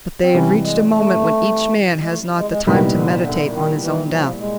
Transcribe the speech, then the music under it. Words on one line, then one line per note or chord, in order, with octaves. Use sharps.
But they had reached a moment when each man has not the time to meditate on his own death.
C4
C3 E3 G3 C#4
G#3
A3
G#3
A3
G#3
G#3
C2 A#2 D#3 G3 B3 D#4
D3
D3
D#3
E3
F3
G#3